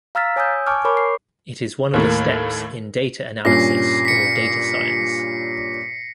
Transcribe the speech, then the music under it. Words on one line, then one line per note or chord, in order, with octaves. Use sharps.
It is one of the steps in data analysis or data science.
F5 A#5 E6 F6 A6 B6
C#5 G#5 D#6 E6 G6
G#5 A5 C#6 D6 F6
A#4 C#5 B5 C#6 D6
C7
D#2 A2 A#3
G2 A#2 C#4 A#6 C7
B6 C#7